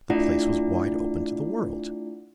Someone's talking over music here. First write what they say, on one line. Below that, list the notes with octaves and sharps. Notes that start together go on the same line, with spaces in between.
The place was wide open to the world.
A3 D4 E4 F4 D5 F#5